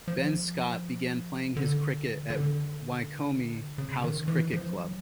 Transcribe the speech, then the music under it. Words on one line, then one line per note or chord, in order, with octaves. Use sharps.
Ben Scott began playing his cricket at Wycombe House Cricket Club.
F3
D3
D3
C#3
D#3
E3
F3
F#3